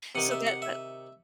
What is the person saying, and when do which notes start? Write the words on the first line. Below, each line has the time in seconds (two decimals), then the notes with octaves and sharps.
so that that
0.15 C3 D#3 F#5
0.31 E5
0.47 F#5
0.62 E5